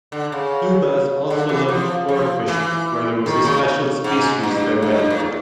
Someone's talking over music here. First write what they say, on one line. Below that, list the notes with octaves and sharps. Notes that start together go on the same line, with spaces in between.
Subas also loved sport fishing where there was a special species they went for.
D3
C#3
D3
E3
F3
F3
E3
D#3
C#3
G#2
G2
G2
A2